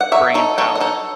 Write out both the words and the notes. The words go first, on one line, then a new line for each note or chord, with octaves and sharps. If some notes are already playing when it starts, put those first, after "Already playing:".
brain power.
F#5
F#3 C#5 E5
D#4 A4 C#5
F#3 A4 C#5
D#5
D#4 A4 C#5